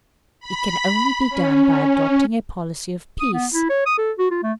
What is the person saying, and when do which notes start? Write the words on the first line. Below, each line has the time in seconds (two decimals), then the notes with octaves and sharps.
It can only be done by adopting a policy of peace.
0.40 B5
1.29 C#4
3.20 D#6
3.33 B3
3.54 E4
3.69 C#5
3.86 D#6
3.98 A4
4.18 F#4
4.31 F4
4.43 A3